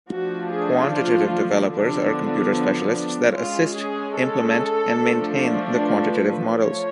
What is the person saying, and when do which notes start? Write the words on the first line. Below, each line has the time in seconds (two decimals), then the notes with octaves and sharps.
Quantitative developers are computer specialists that assist, implement and maintain the quantitative models.
0.11 F3 A3 D4 F#4
0.52 G#4
0.92 F4
1.73 D3 F3 B3 D4
2.55 D4
2.94 D4
3.35 G#3 C#4 F4
3.75 G#4
4.17 A4
4.97 F3 A3 D4
5.78 B4
6.59 F3 A3 C#5